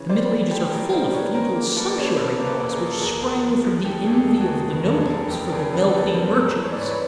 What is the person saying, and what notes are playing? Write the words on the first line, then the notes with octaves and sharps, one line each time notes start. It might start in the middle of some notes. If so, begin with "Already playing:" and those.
The Middle Ages are full of futile sumptuary laws which sprang from the envy of the nobles for the wealthy merchants.
Already playing: C#3 E3 C#5
G3 C5 D5
E3
E3 G4 A4
G3 G#4 A#4
G3 A#4 C5
G3 B4 C#5
C#3 A#4 C5
A#3
A#4
A#3 A4 B4
D5
C#3 C#5
C5
A#3 A4 B4
A#3 C5
A4 B4
E2
G#4 A#4
E2
A4
D#2 G#4 A#4
D#2
F3
F3
D3 G4 A4
D#2 G#4
G4 A4
D#2
A4
F#4 G#4
D#2
F1 B4
A#4
A4
F1 G#4 A#4
E2 A4
A#4
F1 G4 A4
E2 G#4 A#4
C#3 A4 B4
E2 A4 B4
C#3 A#4 C5
C#5
G#2 A#4 C5
E3
C#5
D5
G#2 B4 C#5
B4 C#5